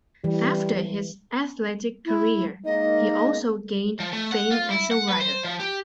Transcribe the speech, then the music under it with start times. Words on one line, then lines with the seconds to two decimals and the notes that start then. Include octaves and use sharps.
After his athletic career, he also gained fame as a writer.
0.24 E3 G3
2.05 E4
2.65 G#3 A#3 D#4 D#5
4.00 F3
4.13 A3
4.32 F#5
4.51 F4
4.71 E4
4.91 F#5
5.09 B4
5.21 C5
5.44 F3
5.60 G4